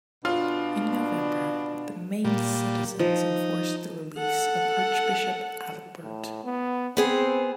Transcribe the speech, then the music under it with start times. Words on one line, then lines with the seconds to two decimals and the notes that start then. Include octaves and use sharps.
In November, the Mainz citizens enforced the release of Archbishop Adalbert.
0.25 B2 D4 F4
2.25 A#2 G3
2.99 F3 D#4
4.18 A4 F#5
6.04 A2
6.44 B3
6.97 B3 C4 G#4 C5